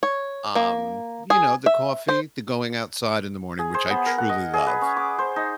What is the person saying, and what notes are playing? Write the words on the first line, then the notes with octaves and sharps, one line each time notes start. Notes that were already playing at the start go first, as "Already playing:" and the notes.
um, you know, the coffee, the going outside in the morning, which I truly love.
C#5
A#3
G#4
E5
C5
G#4
C5
B3
A#4
F#5
D#5
G#4
B4
C#4
D6
C5
D#4